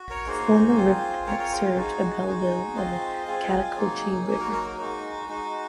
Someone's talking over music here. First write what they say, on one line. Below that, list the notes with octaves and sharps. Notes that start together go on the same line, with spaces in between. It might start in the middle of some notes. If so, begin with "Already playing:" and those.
The former river port served Abbeville on the Chattahoochee River.
Already playing: F#4
A#4 C#5
A#3 D#4 F#4 G#4 C5
C4 F4
C4 F4 A#4 C#5
A#4 C#5
G#4 C5
G#4
G#3 D#4 F#4 G#4
G#3 D#4 F#4
G#3 C4 F4 C5 D#5
G#3 C4 F4 G#4
F#3 A#3 D#4
F#3 A#3 D#4 G#4
F#4 A#4
F#4 A#4
F#4
G#3 D#4 F#4
G#3 D#4 F#4